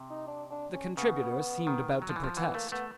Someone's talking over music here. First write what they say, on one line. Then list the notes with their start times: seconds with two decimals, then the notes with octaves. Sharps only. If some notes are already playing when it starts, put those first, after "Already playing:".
The contributor seemed about to protest.
Already playing: C3
0.10 D#4
0.28 D4
0.51 D4
0.74 C#4
0.97 C#3 B3
1.67 D#3
2.02 F#3
2.09 F3
2.16 E3
2.24 F3
2.37 E3 B3
2.54 A3 A#3
2.72 A3 B3